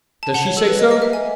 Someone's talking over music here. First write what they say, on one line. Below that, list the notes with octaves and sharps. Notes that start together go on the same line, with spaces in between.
'Does she say so?
A5
F#5
C#5
A4
B4
D#5
D#5
E5
G#5